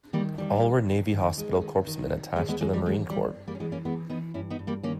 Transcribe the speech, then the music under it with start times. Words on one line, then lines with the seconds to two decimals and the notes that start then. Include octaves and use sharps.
All were Navy hospital corpsmen attached to the Marine Corps.
0.13 D#3 G3 A#3
0.38 D#3 G3
0.63 D#3
0.88 D#3
1.12 D#3
1.37 D#3 G#3
1.61 D#3
1.87 D#3
2.12 D#3
2.36 D#2 G#3 B3
2.49 G#3 B3
2.61 E3 G#3
2.73 G3 A#3
2.85 D#2 G#3
3.10 D#2 G3
3.35 G2
3.47 G3 A#3
3.55 C#4
3.60 E3 G#3 B3
3.72 A#3 C#4
3.85 E3 G#3 B3
4.10 E3 B3 D#4
4.34 G2 C#4 E4
4.50 B3 D#4
4.59 G2
4.67 G3 A#3
4.83 D#3 A#3 C#4